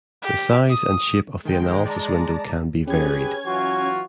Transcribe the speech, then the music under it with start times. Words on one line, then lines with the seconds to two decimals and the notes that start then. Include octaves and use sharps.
The size and shape of the analysis window can be varied.
0.22 G4
0.69 D#6
1.45 D#3 G#3 G5
1.86 D5 A5 A#5
2.87 C#4 G4 G#4 B4 G#6
3.46 E3 F#3 F4 F#4